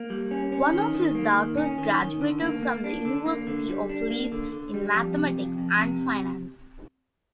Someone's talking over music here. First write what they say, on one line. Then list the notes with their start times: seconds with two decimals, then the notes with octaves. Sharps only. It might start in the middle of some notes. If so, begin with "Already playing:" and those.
One of his daughters graduated from the University of Leeds in Mathematics and Finance.
Already playing: A#3
0.10 G3
0.31 C#4
0.52 C#4
0.73 D#3
0.94 D#3
1.15 A#3
1.37 D#3
1.57 C#4
1.78 D#3
1.99 D#3
2.21 D3
2.42 A#3
2.63 A#3
2.84 D4
3.05 D3
3.26 A#3
3.47 D3
3.68 G3
3.89 D4
4.10 A#3
4.32 D3
4.52 D3
4.74 G3
4.95 F2
5.16 C3
5.37 F2
5.58 F2
5.79 C3